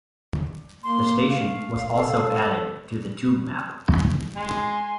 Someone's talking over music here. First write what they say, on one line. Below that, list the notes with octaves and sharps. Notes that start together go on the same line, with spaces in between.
The station was also added to the Tube map.
A#3 C6
A3 F5
A4
G#3 G#5 C6